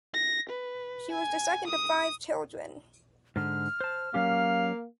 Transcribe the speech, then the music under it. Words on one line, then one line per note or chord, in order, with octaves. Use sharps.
She was the second of five children.
A#6
B4
G#5
D#6
G#2 D3 F6
C5 A5
F#3 A#3 C#4 G4 F5